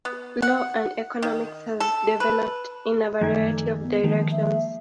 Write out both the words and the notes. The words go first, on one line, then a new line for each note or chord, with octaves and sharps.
Law and economics has developed in a variety of directions.
B3
F#5
D#3
A4
B4
F#2 D#3 F3 A3 D#4 A4 G#6
B3
D#3 F3 G#3 A#3
E5